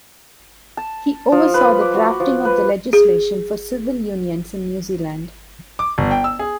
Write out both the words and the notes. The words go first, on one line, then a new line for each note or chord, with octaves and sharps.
He oversaw the drafting of the legislation for civil unions in New Zealand.
A5
F3
B4
D6
F#4
F3
B4
G#4
D6
G1
G5
E6
G#4